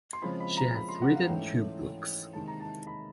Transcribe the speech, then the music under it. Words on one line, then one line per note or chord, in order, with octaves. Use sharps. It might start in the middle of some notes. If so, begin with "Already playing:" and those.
She has written two books.
C6
C#3 F3 G#3 C4 B5
B5
A#5
B5
C6
F#5
F5
G#2 E3 A3 C#4 G5
C3 D#3 G#3 A5
A#5
A5
B5